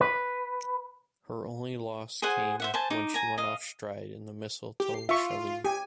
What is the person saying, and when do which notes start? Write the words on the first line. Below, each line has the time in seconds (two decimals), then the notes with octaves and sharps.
Her only loss came when she went off stride in the Mistletoe Shalee.
0.01 B4
2.22 G#4 C5 F#5 G#5
2.60 C5 E5 F#5
2.74 C5 G#5 A5
2.90 D#4 D6
3.14 G#5 A#5
3.38 D#5 F5
4.80 G4
4.94 C7
5.09 F4 E5 C#6
5.65 G4 G#5